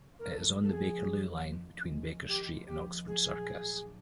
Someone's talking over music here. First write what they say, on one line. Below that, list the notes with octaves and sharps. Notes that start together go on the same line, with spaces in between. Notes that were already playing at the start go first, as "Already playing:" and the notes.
It is on the Bakerloo line, between Baker Street and Oxford Circus.
Already playing: C#3
D#2 A#4
A4
F3
A4
G#3 G#4
C#3
D#2
F3
G#3
C#3
D#2 G4
F3
G4
G#3
F#3 G#4
A#2
A3
D4